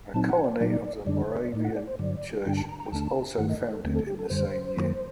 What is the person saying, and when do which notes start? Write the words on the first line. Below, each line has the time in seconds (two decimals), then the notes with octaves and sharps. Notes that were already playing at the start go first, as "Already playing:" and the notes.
A colony of the Moravian Church was also founded in the same year.
0.14 A#2 F#3 C4 D#4 A5
0.29 F#5
0.44 D5
0.60 A#2 F#3 A#3 D#4 D5
1.06 F#2 D3 G3 D4 D5
1.22 C5
1.37 D5
1.52 A2 A3 D#4 D5
1.65 F#5
1.76 D5
1.87 C5
1.99 G2 D3 F#3 D5
2.45 G2 D3 G3 D4 G5
2.57 A5
2.69 A#5
2.80 A#5
2.86 G5
2.92 D#2 D3 A3 D4 A5
3.38 G2 D#3 A3 F#5
3.49 D#5
3.61 D5
3.72 A4
3.84 D#2 D3 A3 C4
3.96 A4
4.07 G4
4.19 A4
4.30 F#2 D3 G3 C5
4.77 F#2 D#3 F#3 A#3